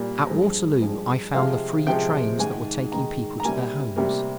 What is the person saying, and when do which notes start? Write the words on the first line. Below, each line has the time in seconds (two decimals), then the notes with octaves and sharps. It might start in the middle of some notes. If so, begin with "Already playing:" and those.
At Waterloo I found the free trains that were taking people to their homes.
Already playing: A#2 G3 A#3
0.29 G2 F3 G#3
0.81 G2 F3 G#3
1.34 C3 F3 G#3 F5
1.87 C3 F3 G#3 G5
2.39 G#2 D#3 G#3 G#5
2.92 G#2 D#3 G#3 A#5
3.40 A#5
3.44 C3 G3 A#3 G#5
3.96 C3 G3 A#3